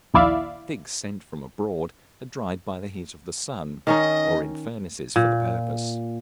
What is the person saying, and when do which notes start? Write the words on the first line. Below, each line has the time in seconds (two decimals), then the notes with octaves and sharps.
The figs sent from abroad are dried by the heat of the sun, or in furnaces for the purpose.
0.14 A#1 D#2 E4 D5 E5 F5
3.87 D#3 C#4 D#4 D#5
5.16 A#2